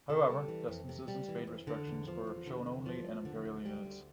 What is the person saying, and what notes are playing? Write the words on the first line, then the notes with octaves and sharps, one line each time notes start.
However, distances and speed restrictions are shown only in imperial units.
C3 A4
G3
E3
F2
C3
G3
E3
F2
D3
E2
F3
E2
D3
E2
F3
E2
D3
D2
G3
D2